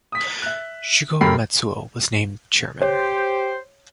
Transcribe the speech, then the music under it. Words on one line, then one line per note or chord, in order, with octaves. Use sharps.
Shugo Matsuo was named chairman.
D#6 B6
E5 F#6
F#2 A3 G4 A#4 B5 C7
G4 C5 C#5